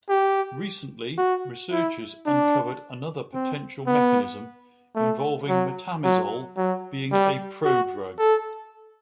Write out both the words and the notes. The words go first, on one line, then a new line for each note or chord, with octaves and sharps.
Recently, researchers uncovered another potential mechanism involving metamizole being a prodrug.
G4
F#4
E4
D4
C4
B3
A3
F#3
F#3
F#3
G3
F#4
A4